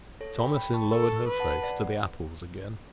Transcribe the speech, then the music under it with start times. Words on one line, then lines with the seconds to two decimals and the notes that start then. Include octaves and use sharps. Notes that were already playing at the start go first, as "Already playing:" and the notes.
Thomasin lowered her face to the apples again.
0.21 A4 C#5
0.39 G5 B5
0.56 G5 B5
0.74 A5 C#6
0.92 A4 C#6 E6
1.28 B4
1.40 F#5 A5
1.63 D5 F#5